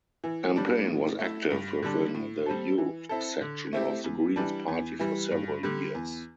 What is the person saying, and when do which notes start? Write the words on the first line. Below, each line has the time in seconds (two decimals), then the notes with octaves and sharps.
Empain was active within the youth section of The Greens party for several years.
0.24 E3
0.56 G3 D4
0.87 A2
1.19 A3 E4
1.51 G2
1.82 D3 G3 D4
2.14 A2
2.46 G3 C4 A4
2.78 E3
3.09 C4 E4 A4
3.41 D3
3.73 A3 C4 E4 G4
4.04 E2
4.36 E3 G3 D4
4.68 E2
4.99 E3 G3
5.31 G2
5.63 D3 G3
5.94 E2